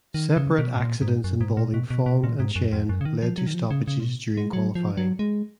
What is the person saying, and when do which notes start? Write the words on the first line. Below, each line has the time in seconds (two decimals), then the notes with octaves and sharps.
Separate accidents involving Fong and Chen led to stoppages during qualifying.
0.14 D#3
0.37 C#3
0.59 B2
0.76 G#2
0.80 A#2
1.02 G#2
1.24 F#2
1.41 G#2
1.57 A#2
1.74 B2
1.90 B2
2.06 B2
2.24 A#2
2.40 G#2
2.56 F#2
2.72 F2
2.89 F#2
3.01 C#3
3.05 D#3
3.22 F3
3.38 F#3
3.47 D#3
3.54 F3
3.71 C#3
3.87 C#3
4.00 A#2
4.04 B2
4.37 G#3
4.53 F#3
4.75 F3
4.97 F#3
5.19 G#3